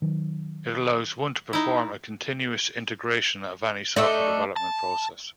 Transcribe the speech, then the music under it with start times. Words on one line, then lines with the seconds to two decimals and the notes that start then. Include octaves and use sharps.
It allows one to perform a continuous integration of any software development process.
0.02 D#3 F#3
1.53 D#4 E4
3.96 A3 D4 D#4 D5 E5
4.56 A5